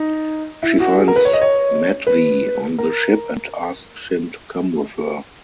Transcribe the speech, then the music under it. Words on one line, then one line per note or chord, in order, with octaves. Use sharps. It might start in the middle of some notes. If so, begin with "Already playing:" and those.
She finds Matvey on the ship and asks him to come with her.
Already playing: D#4
E4
F#4
G#4
A#4
B4
C#5
D#5
C#5
B4
A#4